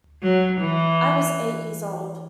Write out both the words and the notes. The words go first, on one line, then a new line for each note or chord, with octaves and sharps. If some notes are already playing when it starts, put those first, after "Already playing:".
I was eight years old.
F#3
E3